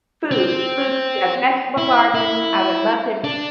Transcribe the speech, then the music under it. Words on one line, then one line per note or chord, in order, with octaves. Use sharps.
food food, yeah, vegetable garden, I would love to
C4
E4
E4
D4